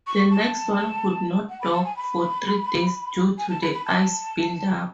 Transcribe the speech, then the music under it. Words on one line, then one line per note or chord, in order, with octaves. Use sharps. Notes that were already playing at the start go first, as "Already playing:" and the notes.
The next one could not dock for three days due to the ice buildup.
C#6
A5
F#5
B5
A5
G#5
B5
G#5
A5
B5
B5
A5